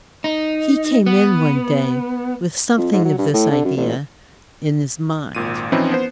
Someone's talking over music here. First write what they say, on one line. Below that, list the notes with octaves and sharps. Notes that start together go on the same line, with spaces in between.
He came in one day with something of this idea in his mind.
D#4
B3
F2
G#2
F#3
G2
A2
D3
F#2
A1
G#1 A#2 D#7
E3 F3 C4 C#4 D#4 E4
B3 C5